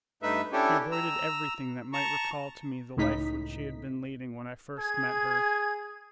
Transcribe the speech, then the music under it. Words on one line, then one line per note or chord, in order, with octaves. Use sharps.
She avoided everything that might recall to me the life which she had been leading when I first met her.
G2 A3 D#4 B4 E5
C#4 D4 E4 G4 A4
A#5 E6
A5 A#5 C#6
C#2 A2 D#4 B6
G#4 G#6